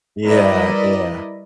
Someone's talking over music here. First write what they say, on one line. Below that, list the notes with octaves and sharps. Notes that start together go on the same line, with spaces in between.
Yeah, yeah.
G3 E4 A#4 B4 D5 D#5